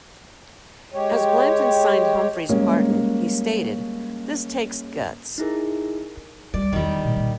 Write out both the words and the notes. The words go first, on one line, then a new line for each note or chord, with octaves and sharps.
As Blanton signed Humphreys' pardon, he stated, this takes guts.
G#3 G4 C#5
G3 G#3 A#3 C#4
D#4 E4 G#4 A#4
G3 D5
E2 D#3 G3
A#2
A#2